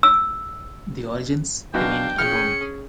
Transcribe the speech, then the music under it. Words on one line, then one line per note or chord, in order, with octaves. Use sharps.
The origins remain unknown.
E6
F#2 B2 D4 F5 G5
C#4 G#4 F6 C#7